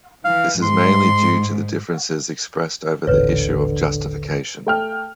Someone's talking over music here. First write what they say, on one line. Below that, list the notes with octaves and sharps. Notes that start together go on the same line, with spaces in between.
This is mainly due to the differences expressed over the issue of Justification.
E3 F5
G#2 C6
D#1 A1 D#2 D3 B4 C#5
A3 G5 F6